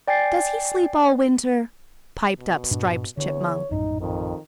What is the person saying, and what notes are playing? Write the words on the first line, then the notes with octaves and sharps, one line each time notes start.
"Does he sleep all winter?" piped up Striped Chipmunk.
D5 G5 G#5 A6 C7
B2
G2 A#2 D4
E2 D3 C#5
A#1 F#2 A2 D#4
F2 D#3